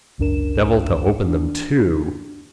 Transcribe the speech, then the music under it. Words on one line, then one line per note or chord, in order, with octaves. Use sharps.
Devil to open them too.
G#1 C#2 F#2 D4 A#4 E7
D4